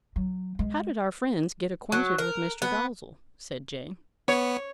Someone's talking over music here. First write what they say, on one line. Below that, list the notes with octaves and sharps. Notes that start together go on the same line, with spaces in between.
"How did our friends get acquainted with Mr. Dalzell?" said Jane.
F#3
G#3
F#3
A#4
B3
B3 C#5